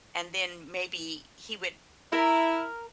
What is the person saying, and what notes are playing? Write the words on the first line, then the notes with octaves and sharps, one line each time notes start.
and then maybe he would
E4 A#4